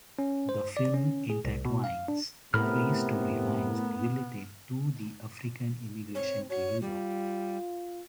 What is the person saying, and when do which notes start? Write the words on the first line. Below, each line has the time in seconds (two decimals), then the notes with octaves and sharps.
The film intertwines three storylines related to the African immigration to Europe.
0.19 C#4
0.49 C5
0.77 D5
0.94 C#4
1.30 G#4
1.45 C2
1.65 B2
1.84 F5
2.08 D4
2.54 A2 C3 B3 A#4 B5 F6
6.15 C4 C#5
6.50 F#4 C#5
6.82 G3 F4